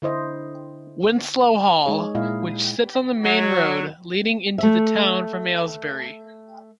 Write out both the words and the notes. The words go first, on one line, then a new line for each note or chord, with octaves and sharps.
Winslow Hall, which sits on the main road leading into the town from Aylesbury.
D3 E4 C5 D#5
G#3 D#4 G#4 C#5
A#2 G#3 E4 D#5 F5
F#3
A3 E5